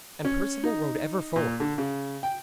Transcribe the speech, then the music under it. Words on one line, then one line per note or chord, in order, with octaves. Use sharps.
And Perceval rode ever forward.
C#4
D#4
A#2
D3
C#3
G5